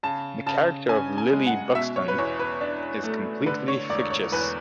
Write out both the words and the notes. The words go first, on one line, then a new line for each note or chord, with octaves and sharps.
The character of Lily Buxton is completely fictitious.
C#3 A5
C#3 A5
C#4 G#5
G#5
G#3
F#5
B2 E5
C#5
B4
E2 C#5
B4
D4
A3
D3 B4
C#5
E1 D5
C#5
E2 B4